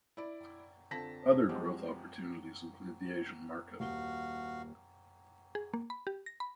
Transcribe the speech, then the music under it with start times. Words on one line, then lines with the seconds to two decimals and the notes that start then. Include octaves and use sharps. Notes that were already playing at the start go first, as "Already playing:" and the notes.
Other growth opportunities include the Asian market.
0.17 E4 D5
0.91 D3 C4 F4 A5 A#6 B6
1.49 F3 F#3 G#3 C4 F#4 G4
3.80 D#1 F#4 F5
5.55 G#4
5.74 A#3
5.90 B5
6.07 G4
6.26 A#6
6.40 B5